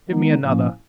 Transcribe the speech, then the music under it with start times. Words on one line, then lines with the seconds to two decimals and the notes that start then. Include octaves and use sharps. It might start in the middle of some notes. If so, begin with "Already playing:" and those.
"Give me another!"
0.09 D#3 G#3 B3 D#4
0.41 A2 F3 A#3 C#4